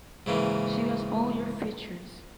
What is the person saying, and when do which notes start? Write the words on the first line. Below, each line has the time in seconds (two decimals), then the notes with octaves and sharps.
She has all your features.
0.26 G#2 C#3 E3 A#3